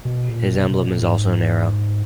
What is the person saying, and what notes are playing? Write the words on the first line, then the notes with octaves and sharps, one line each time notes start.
His emblem is also an arrow.
B2
A#2
B2
B2
A#2
G#2